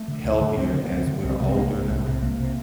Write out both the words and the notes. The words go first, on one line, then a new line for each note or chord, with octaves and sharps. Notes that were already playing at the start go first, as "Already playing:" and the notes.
healthier as we're older now,
Already playing: A3
D3
D2
D3
D2 C4
D3
A#3
D2 C4
D3
C2 C4
C3 A3
C4
C2 A#3
C3
C2
C3
C2 A#3
C3